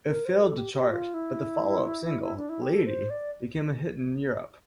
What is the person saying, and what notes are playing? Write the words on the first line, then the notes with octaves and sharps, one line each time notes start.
It failed to chart, but the follow-up single, "Lady" became a hit in Europe.
A#4
C5
A4
G4
G4
F4
E4
D4
E4
G4
A4
C5
D5